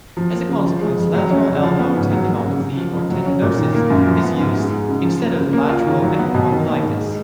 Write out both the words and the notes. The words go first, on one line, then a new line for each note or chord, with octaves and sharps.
As a consequence, "lateral elbow tendinopathy or tendinosis" is used instead of "lateral epicondylitis".
F3
A#3
C#3
F3
G#3
F2
F#3
C#4
C#3
F3
B3
G#2
F#3
A#3
C#3
C#3
F3
F2
F#3
C#4
A#2
D#3
A#3
F#2
F3
B3
G#2
G#3
D#4
C#3
F3
A#3
C#3
A#3
F4
D#3
F#3
B3
B2
D#3
A#3
G#2
G#3